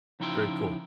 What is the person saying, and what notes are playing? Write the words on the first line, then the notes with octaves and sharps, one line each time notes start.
very cool.
C#3 F3 D#4 E4 G5 C6